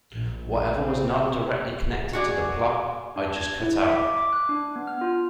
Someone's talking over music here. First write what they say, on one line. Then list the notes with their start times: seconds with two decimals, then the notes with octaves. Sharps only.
Whatever was not directly connected to the plot, I just cut out.
0.12 A#1
0.72 C4
2.13 F#4 G#4 D5
3.16 D4
3.36 G#6
3.62 E4
3.81 E5
3.97 D6
4.16 D6
4.33 F#6
4.49 D4
4.76 B3
4.87 F6
5.01 F4